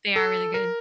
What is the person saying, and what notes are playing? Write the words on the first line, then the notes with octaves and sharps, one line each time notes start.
They are really good.
A4
A#4